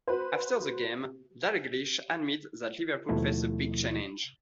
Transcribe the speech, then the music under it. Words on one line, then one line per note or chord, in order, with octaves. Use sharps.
After the game, Dalglish admitted that Liverpool faced "a big challenge".
F#4 B4 C5
D#2 B2 F3 A3 E4